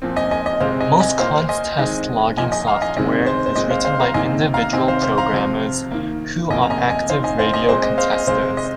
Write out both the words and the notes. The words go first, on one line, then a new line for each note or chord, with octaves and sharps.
Most contest logging software is written by individual programmers who are active radio contesters.
A#2 F3 C4
D#5 G#5
D#5 G#5
D#5
C3 G#3 C4 C5 F5
D#5 G#5
D#5 G#5
A#2 A#3 C5 F5
D#5 G#5
D#3 G#3 C4 D#5 G#5
A#2 F3 A#3 D#5 G#5
D#5 G#5
F5 A#5
D#5 G#5
C3 D#3 G#3 C4 D#5
C5
C5
A#2 G#3 C4 D#5
C5 F5
C5 F5
F5 A#5
C3 D#3 A#3 D#5 G#5
F5 A#5
C3 D#3 C4 D#5 G#5
C5 F5
C5 F5
F5 A#5
C3 F3 C4
D#3 A#3
C3 F3 A#3 D#5 G#5
A#5
D#5 G#5
D#5 G#5
D#3 C4 C5 F5
D#5 G#5
C5 F5
D#5 G#5
A#2 G#3 C4 C5
D#5
C5 F5
D#5 G#5
C3 G#3 C4 C5 F5
D#5